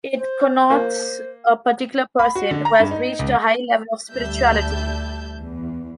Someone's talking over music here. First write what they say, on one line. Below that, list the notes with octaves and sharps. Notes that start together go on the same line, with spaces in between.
It connotes a particular person who has reached a high level of spirituality.
C5
A#3
B5
F#4
D3
A#5
G2
D#4
C#2
D2 G3 E5 A5 G6
E2